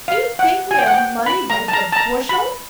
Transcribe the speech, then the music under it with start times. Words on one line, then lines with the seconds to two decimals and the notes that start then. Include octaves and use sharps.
'Do you think we have money by the bushel?'
0.08 F5
0.39 F#5
0.71 G#5
0.79 G5
0.87 F#5
0.94 G5
1.26 B5
1.50 A#5
1.68 A5
1.73 A#5
1.92 A5
1.97 A#5
2.29 B5